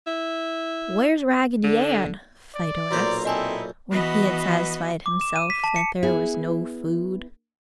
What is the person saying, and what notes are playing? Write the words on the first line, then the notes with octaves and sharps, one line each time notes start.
"Where's Raggedy Ann?" Fido asked, when he had satisfied himself that there was no food.
E4
D3
D5
B1 A#2 C5 A#5 C6
C4 D#4 E4 A4 D#5 G#5 A5
E3 B3 F#4 B4 D#5
D6
E7
D#7
B6
A5
C#7
B3 E4 G#4